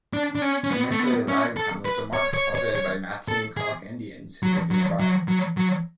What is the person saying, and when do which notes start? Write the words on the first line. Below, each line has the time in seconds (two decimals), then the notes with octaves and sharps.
Initially, Lattingtown was a marsh, populated by Matinecock Indians who lived nearby.
0.13 D4
0.35 D4
0.42 C#4
0.64 C#4
0.71 B3
0.91 A3
0.99 B3
1.28 C#4
1.57 A4
1.85 B4
2.13 C#5
2.34 C#5
2.55 C#5
2.75 C#5
3.28 A4
3.57 G#4
4.43 F#3
4.71 F#3
5.00 F#3
5.28 F#3
5.57 F#3